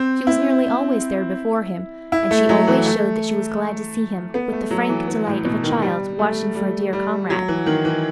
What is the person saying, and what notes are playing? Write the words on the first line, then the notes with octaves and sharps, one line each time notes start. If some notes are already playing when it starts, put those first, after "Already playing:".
She was nearly always there before him and she always showed that she was glad to see him with the frank delight of a child watching for a dear comrade.
Already playing: C4
E4
E4
A3
F#3
E3
A3
B3
A3
F#3
E3
E3
A2
B2
D#3
G3
A3
G3
G3
F#3
E3
D#3
E3